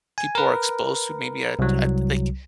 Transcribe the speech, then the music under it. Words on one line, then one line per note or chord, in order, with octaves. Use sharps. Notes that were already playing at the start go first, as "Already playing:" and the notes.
people are exposed to maybe at at, like
G#5
A#4 B4
C2 F#3